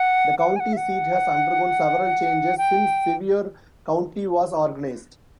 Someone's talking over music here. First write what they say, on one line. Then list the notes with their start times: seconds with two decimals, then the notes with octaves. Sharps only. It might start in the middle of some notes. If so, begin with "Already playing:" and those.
The county seat has undergone several changes since Sevier County was organized.
Already playing: F#5
0.39 F#5
0.56 G#5
0.60 F#5
0.73 E5
0.77 F#5
2.58 G5